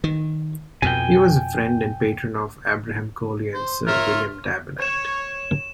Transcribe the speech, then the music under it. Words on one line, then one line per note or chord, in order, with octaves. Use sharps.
He was a friend and patron of Abraham Cowley and Sir William Davenant.
D#3
F2 B2 G5 G#5
C5
F4 A#4 C#5 E5
C#5 E7